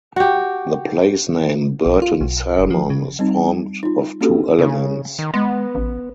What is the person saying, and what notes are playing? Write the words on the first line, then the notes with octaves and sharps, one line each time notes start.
The place name "Burton Salmon" is formed of two elements.
F#4 G4
A#1
F4
B1
F#1
F3
C#3
G3 C4 D#4
D#4 F4
A#3 C#4 D4 F#4 G4 A4
C#3
D#3
G#3 B3
A1